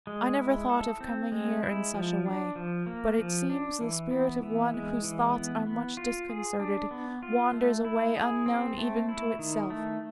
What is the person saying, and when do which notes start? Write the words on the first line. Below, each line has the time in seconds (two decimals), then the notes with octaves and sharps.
I never thought of coming here in such a way; but it seems the spirit of one whose thoughts are much disconcerted wanders away unknown even to itself.
0.07 G#3
0.38 E4
0.70 A4
1.01 C4
1.32 G#3
1.62 E4
1.94 F3
2.25 D4
2.56 F3
2.86 A#3
3.19 F3
3.50 D4
3.81 E3
4.11 B3
4.43 E3
4.74 G#3
5.04 E3
5.36 B3
5.67 B3
5.97 F4
6.29 G#4
6.59 D4
6.91 B3
7.23 F4
7.53 A3
7.85 E4
8.16 G#4
8.46 C4
8.78 A3
9.09 E4
9.39 D#3
9.70 A3